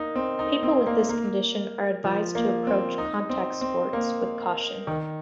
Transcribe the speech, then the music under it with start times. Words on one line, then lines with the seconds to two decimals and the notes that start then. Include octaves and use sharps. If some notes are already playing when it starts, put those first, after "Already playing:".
People with this condition are advised to approach contact sports with caution.
Already playing: A#3 D#4
0.15 C4
0.39 D#4
0.63 C4
0.87 A#3
1.09 A#3
2.04 F3
2.35 A#3
2.67 C4
2.98 D#4
3.29 C4
3.61 C4
3.93 A#3
4.87 D#3